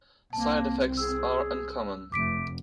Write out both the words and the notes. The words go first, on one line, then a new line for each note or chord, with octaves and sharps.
Side effects are uncommon.
C2 A#3 C4 A5
G#4 E6
F1 F2 A3 D6 B6 D7